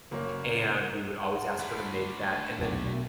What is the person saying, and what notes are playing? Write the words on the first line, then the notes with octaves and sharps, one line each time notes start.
and we would always ask her to make that, and then
F#1 A#3 C#5
F#5 C6
A3 D4 B5
B1 E2
B2